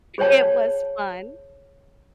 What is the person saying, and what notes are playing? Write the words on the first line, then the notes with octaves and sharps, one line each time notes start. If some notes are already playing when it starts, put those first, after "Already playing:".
it was fun.
G#4 C5 C#5 G5 A5